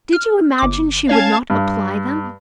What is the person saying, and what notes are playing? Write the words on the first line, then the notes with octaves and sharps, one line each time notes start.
Did you imagine she would not apply them?
F6
G1 D6
C#4 C#5 F5 A5 G#6
G2